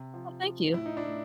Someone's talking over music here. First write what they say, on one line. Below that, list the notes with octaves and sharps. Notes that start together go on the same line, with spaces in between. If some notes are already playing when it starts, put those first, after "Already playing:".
Oh, thank you.
Already playing: C3
F3
F3
A2 E4
D#4
D4 E4
A2